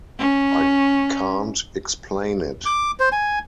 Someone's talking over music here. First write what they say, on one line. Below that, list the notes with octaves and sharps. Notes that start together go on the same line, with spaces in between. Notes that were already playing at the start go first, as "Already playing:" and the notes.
I can't explain it.
C#4
D6
C5
G#5